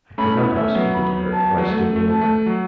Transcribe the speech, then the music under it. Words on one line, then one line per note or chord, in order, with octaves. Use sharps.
I could not help speaking to her, for I stood near her.
A3 C#4 B5
B3 E4
A3 C#4 E5
F#3 B3
B5
A5
F#3
A3 F#5
A3
A5
A3
F#3